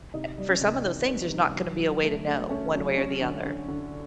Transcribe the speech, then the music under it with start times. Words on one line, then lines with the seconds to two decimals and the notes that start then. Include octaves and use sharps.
eh, for some of those things, there's not gonna be a way to know one way or the other.
0.14 C3 D#4
0.38 G3
0.49 C#4
0.61 C3
0.85 D#3
1.08 B3
1.32 D#3
1.56 F#3
1.79 F#3
2.03 A3
2.26 A3 D4
2.50 A3 C#4
2.74 F#3 C#4
2.97 F#3 C#4
3.21 D3
3.45 D3
3.68 D3